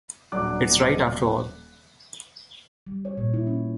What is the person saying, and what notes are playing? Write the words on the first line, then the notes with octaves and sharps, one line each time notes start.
It's right, after all!
D#1 F#3 D4 D6 F#6
G3
C#5
A#2
E4
C#4